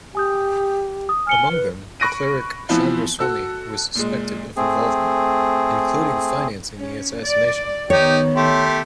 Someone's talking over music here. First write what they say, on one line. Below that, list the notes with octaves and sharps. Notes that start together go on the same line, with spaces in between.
Among them, the cleric Chandraswami was suspected of involvement, including financing the assassination.
G4 G#5 D#6 G6
D#6
G#5 F6 C#7 G7
B4
B5 C#6 F#6 A#6 D7 D#7
E3 F3 B3 C4 E4 F4
F#4 A4 E6
A#2 G#3
A3 C4 G#4
C#4
D5
D#3 B3 D#4 G4 C#5
A3 G4 C6